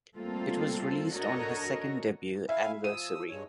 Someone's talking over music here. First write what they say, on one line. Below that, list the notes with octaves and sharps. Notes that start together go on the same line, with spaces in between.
It was released on her second debut anniversary.
G3 A3 A#3 C4 F4 A4
D4 F#4 A4 A#4 C#5 D#5
E4 E5 F5 G#5
F3 D#6 E6 D#7
G2 G#3 C#5